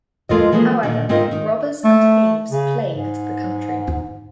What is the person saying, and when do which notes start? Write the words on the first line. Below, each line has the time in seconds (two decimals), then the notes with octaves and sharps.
However, robbers and thieves plagued the country.
0.29 F3 G#3 F4 A4 A#4 D#5
0.52 E3 F3 G#3 A#3 G#4 A#4
0.83 A#2 D3 D#3
1.09 G#2 C4 D#4 F4 A#4 D#5
1.31 D#3 D#4
1.84 A3
2.51 C#3
2.92 G#2